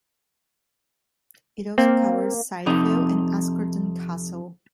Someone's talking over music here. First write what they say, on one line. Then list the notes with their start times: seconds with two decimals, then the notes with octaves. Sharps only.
It also covers Side Fell and Askerton Castle.
1.78 A#3 C4
2.66 F2 C3 D#4